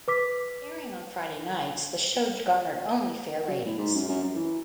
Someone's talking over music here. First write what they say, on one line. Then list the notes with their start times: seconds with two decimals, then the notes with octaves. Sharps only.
Airing on Friday nights, the show garnered only fair ratings.
0.08 B4 D6 B6
3.48 F#3
3.66 A2
3.78 G#2
3.95 F#2
4.08 F#2
4.23 F#2
4.36 E3